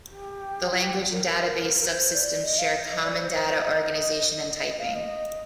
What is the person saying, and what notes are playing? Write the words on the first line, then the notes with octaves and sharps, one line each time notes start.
The language and database subsystems share common data organization and typing.
G4
F4
G4
A#4
A#4
A#4
C5
D5
D#5
F5
D#5
D5
C5
C5
C5
D#5
F5
D#5